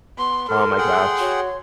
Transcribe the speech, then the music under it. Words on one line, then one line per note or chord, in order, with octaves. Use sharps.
Oh, my gosh.
B3 C6
A4 A#4 C6 F6
G#4 F#5 G5
F#4 C#5